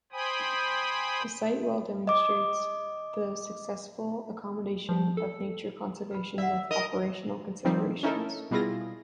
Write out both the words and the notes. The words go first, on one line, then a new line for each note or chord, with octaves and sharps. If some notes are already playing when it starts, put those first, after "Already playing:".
The site well demonstrates the successful accommodation of nature conservation with operational considerations.
C5 G5 G#5 B5 D#6
D#5 D6
F3
A4
B4 B5
D5 E5 F#5
A#4 D#5
D#3 F3 G3 C4 D#4
C#4 D#4 E4 A4 A#4
B2 G3 E4 F4 G#4 A#6